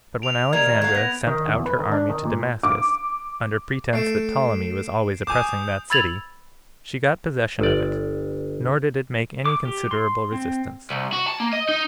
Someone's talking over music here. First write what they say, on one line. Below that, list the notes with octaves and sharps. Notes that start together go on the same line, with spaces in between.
But when Alexandra sent out her army to Damascus, under pretense that Ptolemy was always oppressing that city, she got possession of it; nor did it make any considerable resistance.
D7 F7
D#3 G3 A#3 G#6 F7
F#3 A3 F5
B3 G#6 A#6
D#3
E2
B4
D#3
D4
D#3
A#2
D6
A3 C7 D7 E7
G#5 D6 D#6 G6 E7
B5 E6 G#6 A6 F7 F#7
G1 D5
D6
G4
C6
C4
C2
F#4
A5
A#3
D#5
D#4